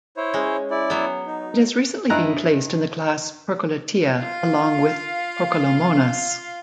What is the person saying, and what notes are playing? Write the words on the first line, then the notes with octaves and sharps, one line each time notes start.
It has recently been placed in the class Percolatea, along with "Percolomonas".
E4 C5 C#5
G#3 C#4
E4 D5
F#3 B3
D#4
G2 E4 D#5 A#5 F#6
F4 F5